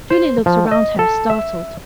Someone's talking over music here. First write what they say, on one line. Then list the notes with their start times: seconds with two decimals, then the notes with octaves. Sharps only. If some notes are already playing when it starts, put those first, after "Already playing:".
Julie looked round her, startled.
0.10 C5
0.46 F3
0.71 D#5
0.99 A4
1.30 E5